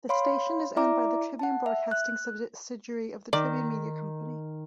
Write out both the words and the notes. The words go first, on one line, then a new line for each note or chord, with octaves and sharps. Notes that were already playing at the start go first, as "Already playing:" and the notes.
The station is owned by the Tribune Broadcasting subsidiary of the Tribune Media Company.
C#5 F5 B5 C6
E4 D5 E5 A#5 D6
F#5 A5
E5
F#6
D#3 D5